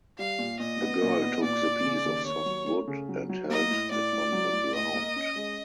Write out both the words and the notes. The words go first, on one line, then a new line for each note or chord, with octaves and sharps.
The girl took the piece of soft wood and held it on the ground.
G3 F5
A#2
A#2 D#5
B3
A#2
B3
A#2 D5
A#2
C#3
D#2
D#2 C#5
F#3
A3
C#3
F#3
F#3
A#3 D#5
A2
A2 D5
A2
F#3
A2
A2 D#5
A#3
C#4
G#3